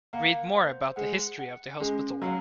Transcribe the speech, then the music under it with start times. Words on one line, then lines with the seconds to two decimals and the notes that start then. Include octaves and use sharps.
Read more about the history of the hospital.
0.13 A#3 F#5
0.56 C5
0.96 G#3 F#5
1.39 F#5
1.80 G#3 C#4
2.22 F#3 F5